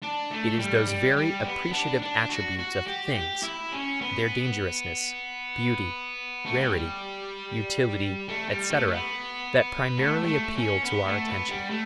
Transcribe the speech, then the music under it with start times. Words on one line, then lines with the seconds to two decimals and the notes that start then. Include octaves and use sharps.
It is those very appreciative attributes of things, their dangerousness, beauty, rarity, utility, etc., that primarily appeal to our attention.
0.02 D4
0.31 A3
0.59 G3
0.87 G3
1.16 G3
1.44 B3
1.72 D4
2.02 D4
2.29 F#4
2.59 F#4
2.87 G4
3.15 G4
3.43 E4
3.73 C#4
4.01 B3
6.46 A3
6.56 G3
8.28 A3
8.49 G3
8.70 A3
8.92 B3
9.98 A3
10.23 G3
10.27 A3
10.55 C#4
10.84 B3
11.05 A3
11.27 B3
11.48 G3
11.70 A3